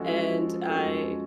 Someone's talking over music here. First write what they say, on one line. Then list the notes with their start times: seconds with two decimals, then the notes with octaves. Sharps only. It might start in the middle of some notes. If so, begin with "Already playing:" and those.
And I
Already playing: F3 G#3 C#4 F#4 A4
0.27 F3
0.69 G#3 C#4 F#4 A4